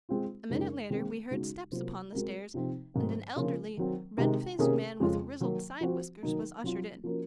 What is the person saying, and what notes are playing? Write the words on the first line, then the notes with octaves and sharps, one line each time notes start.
A minute later we heard steps upon the stairs, and an elderly red-faced man with grizzled side-whiskers was ushered in.
G#3 C4 F4
F#2 C#3 G#3 D#4 A#4
D#3 G#3 C4
C#3 G#3 D#4 F#4
C3 F#3 A#3 F4 C5
G#3 C4 F#4 A#4
C3 F3 C4 D#4
G#2 D#3 F#3 C4
C#3 F3 A#3 C#4 F4
D#3 F#3 C4
C3 D#3 G#3 D#4
C3 D#3 A#3 C#4 G#4
F2 C#3 G#3 C#4 F4
D#3 F#3 A#3
F3 C4 F#4 C5
D#3 F#3 A#3 D#4
F#3 C4 F4
F3 A#3 C#4 F#4 A#4